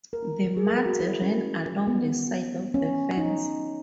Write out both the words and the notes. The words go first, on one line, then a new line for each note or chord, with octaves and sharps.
The mutt ran along the inside of the fence.
A#4
A#4
G#4
A#4
G#4
F#4
E4
C#4
B3
C#4
D#4